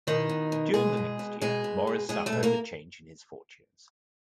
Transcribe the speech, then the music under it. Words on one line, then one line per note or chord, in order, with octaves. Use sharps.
During the next year Maurice suffered a change in his fortunes.
B2 D#3 D#4
B2
B2
B2 G#3 G#4
B2
B2
B2 G#3 G#4
B2
B2
B2 G#3 G#4
A3 A4
B2
A#3 A#4